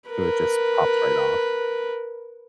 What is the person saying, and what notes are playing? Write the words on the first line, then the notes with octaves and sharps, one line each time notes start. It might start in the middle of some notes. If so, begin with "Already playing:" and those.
So it just pops right off.
A#4 B4